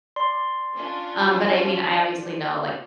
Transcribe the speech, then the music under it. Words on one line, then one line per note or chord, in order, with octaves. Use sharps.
Um, but I mean, I obviously know, like,
D5 C6
C#4 D4 F4